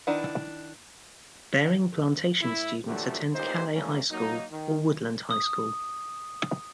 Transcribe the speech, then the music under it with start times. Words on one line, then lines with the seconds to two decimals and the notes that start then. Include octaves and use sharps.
Baring Plantation students attend Calais High School or Woodland High School.
0.07 D#3 D4 E4 B4 F#5
2.41 A2 E4
2.86 A#2 D3 E3 F#3 A3 G4
3.34 A1 A#2 D#4 G4 C5
3.74 E3 G3 A3 A#3 C#4
4.11 F#3 A#3 D#4
4.51 D#3
5.31 D#6